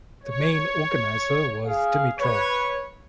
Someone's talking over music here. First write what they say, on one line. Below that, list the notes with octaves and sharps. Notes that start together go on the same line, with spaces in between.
The main organizer was Dimitrov.
C#5
G#4 F5
B4 C#5